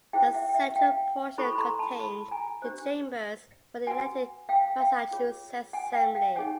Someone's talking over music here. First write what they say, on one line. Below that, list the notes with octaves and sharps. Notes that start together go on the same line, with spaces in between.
The central portion contained the chambers for the elected Massachusetts Assembly.
E4 G#4 C5 F5 G5
E5 F#5
G5
E5 F#5
F5 G5
E4 A4 C5 B5 C#6
B5
A#5 C6
A5 B5
A5 B5
G#5 A#5
D4 G4 C5
F#4 B4 F#5 G#5
F5 G5
F5 G5
F4 G#4 C#5
F#5 G#5
F5 G5
F5 G5
D#4 G#4 C#5 F#5 G#5